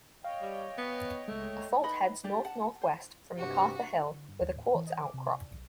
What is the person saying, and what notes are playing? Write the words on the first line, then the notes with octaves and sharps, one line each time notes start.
A fault heads north-north-west from Macarthur Hill with a quartz outcrop.
C#5 D#5 F5 G5
G3
B3
C#2 G#3 A3
D#4 B4 D#5 B5
D4 G4 D5
F#5 A5
C5
G2 C3 F#4 G4
D3
G2
D#2
A2
E3
D#5
D6
C3
D5
B1